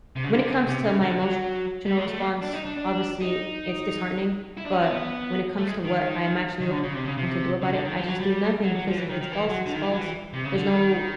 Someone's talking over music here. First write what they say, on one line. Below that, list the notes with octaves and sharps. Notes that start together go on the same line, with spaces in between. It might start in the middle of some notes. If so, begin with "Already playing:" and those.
when it comes to my emotional response, obviously, it's disheartening, but when it comes to what I'm actually going to do about it, I just do nothing, because if it's false, it's false, there's no
C3
C#3
D3
C3
C#3
C3
C#3
D3
F#3
G3
G#3
A3
A#3
D4
D#4
D4
D4
D#4
E4
D4
C#4
C4
B3
A3
G#3
D#3
D#3
D3
C#3
C3
C#3
C3
C#3
D3
D#3
F3
F#3
G3
F#3
F#3
F3
E3
D#3
D#3
E3
F#3
D3
D#3
E3
F#3
E3
C3
C#3
D3
D#3